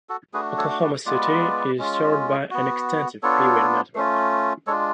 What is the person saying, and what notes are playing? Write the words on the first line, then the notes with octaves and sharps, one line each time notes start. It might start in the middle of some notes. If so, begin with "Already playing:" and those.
Oklahoma City is served by an extensive freeway network.
F#4 A4
A3 D4 F#4 G#4 B4
A4 C#5
B4 D5
G#3 B3 F4 B4 D5
G#3 C#4 F4
B3 F#4
B3 D4 F4 A4 C#5
A3 C#4 F4
G#3 D4 F4 A4 C#5